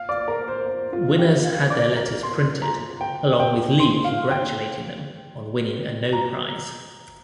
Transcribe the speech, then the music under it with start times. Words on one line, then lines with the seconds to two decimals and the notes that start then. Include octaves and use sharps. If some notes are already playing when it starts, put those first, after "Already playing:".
Winners had their letters printed along with Lee congratulating them on winning a No-Prize.
Already playing: F5
0.09 D5
0.28 A#4
0.48 C5
0.66 C5
0.93 F4
1.19 G4
1.44 F5
1.70 D5
1.96 A#4
2.23 C6
2.62 A#5
3.01 G5
3.40 G5
3.79 C6
4.04 F5
4.31 G5
6.13 A#5